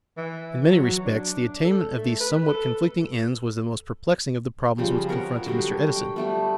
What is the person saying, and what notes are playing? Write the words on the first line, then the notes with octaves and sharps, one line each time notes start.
In many respects the attainment of these somewhat conflicting ends was the most perplexing of the problems which confronted Mr. Edison.
E3
F#3
D4
A4
A3
B4
A4
C#3 F3 G3
B3 A#4 C#5 F#5
D3 F#3 G3 F#4
G5
G3 A3 B3